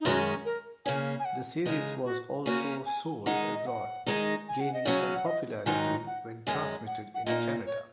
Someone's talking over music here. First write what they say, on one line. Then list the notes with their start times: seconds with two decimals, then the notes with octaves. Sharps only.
The series was also sold abroad, gaining some popularity when transmitted in Canada.
0.01 D#4
0.05 F#2 D#3 G#3 C#4 F#4
0.45 A#4
0.85 C#3 A#3 C#4 G#5
1.20 G#5
1.25 F#5
1.66 C#3 G#3 D#4
2.05 F#4
2.46 C#3 A#3 C#4 F#4
2.86 G#5
3.26 D#3 G#3 D#4 F#5
3.54 D#5
3.66 F#5
4.07 D#3 G#3 D#4
4.49 G#5
4.61 F#5
4.74 D#5
4.85 C#3 F#3 C#4 C#5
5.15 F#5
5.26 D#5
5.66 G#2 D#3 F#3 D#4 G#5
6.07 F#5
6.47 F#2 D#3 G#3 G#5
6.54 F#5
6.61 G#5
6.87 F#5
7.15 F#5
7.26 A#2 A#3 D#4 D#5
7.66 C#5